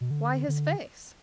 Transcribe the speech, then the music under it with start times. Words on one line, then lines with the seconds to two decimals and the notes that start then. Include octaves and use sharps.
"Why his face?"
0.01 B2
0.11 D3
0.48 D3